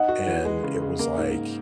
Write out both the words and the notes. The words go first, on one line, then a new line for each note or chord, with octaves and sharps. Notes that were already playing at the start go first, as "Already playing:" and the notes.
and it was like
Already playing: D#4 D#5 F#5
F#4
E3
G#3
C#3
C#3
A#3
G#2